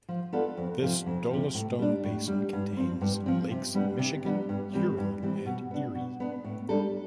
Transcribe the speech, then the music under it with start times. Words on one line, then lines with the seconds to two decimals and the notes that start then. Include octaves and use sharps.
This dolostone basin contains Lakes Michigan, Huron, and Erie.
0.09 F3
0.33 B3 F4 A4 D5
0.57 F2
0.82 C3 F3
1.06 F2
1.30 C3 F3
1.54 A2
1.79 G3 D4
2.04 A2
2.28 G3 D4
2.53 G2
2.77 F3 C4
3.01 G2
3.26 F3 C4
3.51 C3
3.75 G3 B3 D4
3.99 C3
4.25 G3 B3 D4
4.49 G2
4.73 E3 G3 C4
4.98 G2
5.23 E3 G3 C4
5.46 B2
5.71 B3 D4
5.95 B2
6.20 B3 D4
6.44 A2
6.69 G3 D4 A4